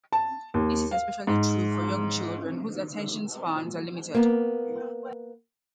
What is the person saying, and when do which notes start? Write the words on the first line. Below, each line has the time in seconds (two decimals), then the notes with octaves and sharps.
This is especially true for young children, whose attention spans are limited.
0.13 A5
0.54 D#2
0.91 F5
1.27 G#2
4.14 A#3 B3